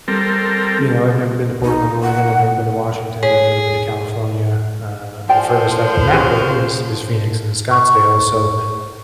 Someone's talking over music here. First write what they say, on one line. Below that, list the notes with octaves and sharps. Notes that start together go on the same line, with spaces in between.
you know, I've never been to Portland, Oregon, I've never been to Washington, I've never been to California, uh, the furthest I've been that way is is Phoenix and Scottsdale, so
G3 C4 A4 A#4
D#4
F#5
G#4 C#5
F3 C5 D5 G5 G#5
C#4 G#4
C#6